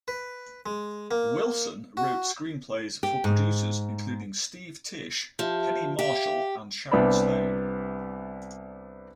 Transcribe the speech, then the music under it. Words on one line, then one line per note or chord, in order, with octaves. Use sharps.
Wilson wrote screenplays for producers including Steve Tisch, Penny Marshall, and Sharon Stone.
B4
G#3
A#3
F#4
G4
G#2
F3 G4 E5 A5
G4 E5 F5
C2 C3 B3 D4 B5